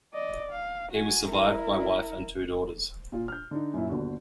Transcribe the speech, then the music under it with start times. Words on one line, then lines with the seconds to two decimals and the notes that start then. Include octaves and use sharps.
He was survived by wife and two daughters.
0.14 D5 D#5
0.51 F5
0.92 F#4 G#5
1.29 E4 A#4
3.12 A#2 F4
3.28 F6 G6
3.51 D3 D4 D#4
3.74 F#2 A#2 E4
3.89 G1 D#2 D3 F#4